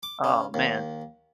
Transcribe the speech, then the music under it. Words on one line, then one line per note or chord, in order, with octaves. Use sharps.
Oh, man.
D6
C#3
D#2